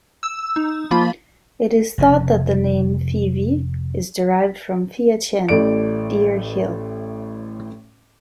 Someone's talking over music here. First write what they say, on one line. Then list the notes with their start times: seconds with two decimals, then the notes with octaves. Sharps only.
It is thought that the name Fyvie is derived from "Fia-chein" 'Deer hill'.
0.23 E6
0.56 D#4
0.91 F3 A#3 F4 B5
1.98 F1 C#3
5.49 A1 A2 A3 D5 D7